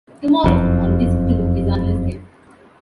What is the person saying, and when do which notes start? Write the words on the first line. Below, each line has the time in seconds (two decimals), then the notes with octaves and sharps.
"Tomorrow" on Disc Two is unlisted.
0.44 F#1 F2